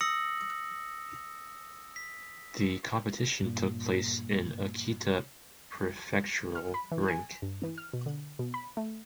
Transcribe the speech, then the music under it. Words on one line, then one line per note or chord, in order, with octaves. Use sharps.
The competition took place in Akita Prefectural Rink.
D#6 E6 A#6 C#7 F#7
B6
G2 A#2
F6
B5
E3
G#5
G2
E3
F6
B2
D3
B2
B5
A3